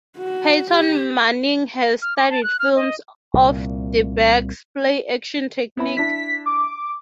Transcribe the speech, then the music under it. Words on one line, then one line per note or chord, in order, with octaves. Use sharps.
Peyton Manning has studied films of DeBerg's play-action technique.
F#4
G4
F6
D6
A5
F#6
F6
D#5
C2 A#2
B3 E4 B5
D4 E4 B6
D6